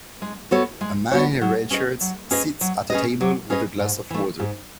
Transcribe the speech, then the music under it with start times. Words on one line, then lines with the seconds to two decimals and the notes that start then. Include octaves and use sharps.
A man in a red shirt sits at a table with a glass of water.
0.22 G#3
0.51 B3 F#4 A4 C#5
0.81 G#3
1.11 B3 F#4 A4 C#5
1.41 F#3
1.70 C#4 G#4 B4 D#5
2.01 F#3
2.31 C#4 G#4 B4 D#5
2.61 F#3
2.90 C#4 G#4 B4 D#5
3.21 F#3
3.50 C#4 G#4 B4 D#5
3.79 G#2
4.10 E3 A3
4.39 G#2